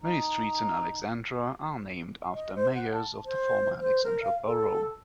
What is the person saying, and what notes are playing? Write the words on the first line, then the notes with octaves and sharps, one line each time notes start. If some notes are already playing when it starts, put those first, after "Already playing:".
Many streets in Alexandra are named after mayors of the former Alexandra Borough.
D#4
D#5
C5
F#5
A5
C5
C5
A#4
F5
A4